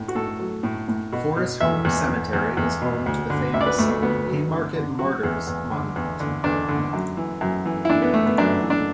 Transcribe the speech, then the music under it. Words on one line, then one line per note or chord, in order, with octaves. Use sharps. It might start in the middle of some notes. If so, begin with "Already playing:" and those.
Forest Home Cemetery is home to the famous "Haymarket Martyrs' Monument".
Already playing: A2
F#4
A2 A4
F#3
A2
A2
B2 F#4
B2
E2 E5
E2
E2
E2
E2
B2
D2
D3
D2 E5
D5
B4
D2 A3
A3
D2 B3
F#3
D3
D3
F#3 F#4
E2
E2
D3
E2
D3
E2 D4
D3
F#2
E3
F#2
E3
E4
E3 D4
B3
E3 A3
B3
F#2 D4
E3
D4